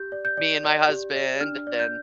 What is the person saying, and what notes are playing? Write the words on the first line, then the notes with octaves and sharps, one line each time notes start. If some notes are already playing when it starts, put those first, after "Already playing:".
me and my husband, and then,
Already playing: G4 G6
D5
G6
D5
D5
G4
D5
D4 F6
D5
G6